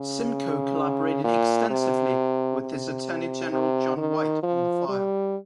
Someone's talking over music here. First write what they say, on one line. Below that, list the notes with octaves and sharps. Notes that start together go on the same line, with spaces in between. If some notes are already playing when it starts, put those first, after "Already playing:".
Simcoe collaborated extensively with his Attorney-General John White on the file.
Already playing: C#3
A#2
C3
C3
C3
D#3
F3
G3